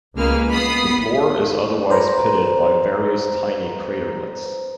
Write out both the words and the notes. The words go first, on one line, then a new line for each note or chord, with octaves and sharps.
The floor is otherwise pitted by various tiny craterlets.
C#2 G#3 A#3 G#4 B4 F6
B3 B5 D#6 C7
B4 C5 A#5